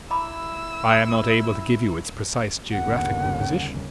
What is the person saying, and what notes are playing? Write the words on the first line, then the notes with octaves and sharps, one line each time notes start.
I am not able to give you its precise geographical position.
E4 A#5 B5 D6 E6
G1 D#2 C#3 F#5